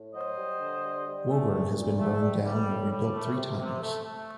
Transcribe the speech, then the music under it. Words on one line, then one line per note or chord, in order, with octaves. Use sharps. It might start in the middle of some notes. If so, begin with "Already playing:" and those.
Woburn has been burned down and rebuilt three times.
Already playing: A2
F#3 C5 D#5
G3
D3
G3
G3
A3
A#2
A#2
A3
G3
G3
A2
G3
A3
C3
C3
A3
A3